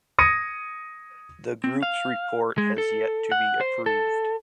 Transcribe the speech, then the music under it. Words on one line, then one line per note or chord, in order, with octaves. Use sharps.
The Group's report has yet to be approved.
D#6 G#6 A#6 C#7 D#7
C4
F5
G#3
A4
F#5
C5
A4